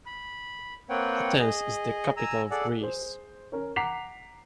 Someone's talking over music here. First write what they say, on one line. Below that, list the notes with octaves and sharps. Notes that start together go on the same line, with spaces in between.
Athens is the capital of Greece.
B5
A#3 C4 B4 C#5 F#5 G5
G#4 D#5
G#5 A#5 E6
G#4 A4 D5 F#5
G#4 C5
C#4 A#4 C#5
F#5 A#5 D6 B6 C7 F7